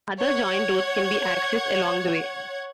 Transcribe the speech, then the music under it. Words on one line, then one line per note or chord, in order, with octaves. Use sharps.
Other joined routes can be accessed along the way.
C#5 F#5 G#6